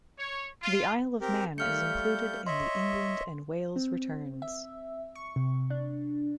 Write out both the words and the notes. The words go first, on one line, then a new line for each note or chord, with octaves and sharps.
The Isle of Man is included in the England and Wales returns.
C#5
F4
C4 G4 A#4
G3 A3 F5 F6 G6 C#7
C#5 D#5 E5 C6
C4
E5
C#6
C3
D4